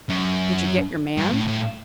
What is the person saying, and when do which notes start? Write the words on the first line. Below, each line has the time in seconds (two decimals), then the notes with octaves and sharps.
"Did you get your man?"
0.09 F#2
1.17 G2
1.32 A2
1.47 A2